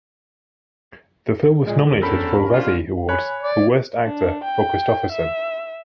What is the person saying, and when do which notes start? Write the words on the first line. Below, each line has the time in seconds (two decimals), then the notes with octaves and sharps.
The film was nominated for a Razzie Awards for Worst Actor for Kristofferson.
1.67 A#2 G#3
1.86 E2 D3
2.02 D3 C4 C#4 A4 A#4 B5
2.52 D3 G3 F4
3.09 C#5 G#5 B5 F#6
3.43 D5
4.04 D4
4.44 G5
5.12 E5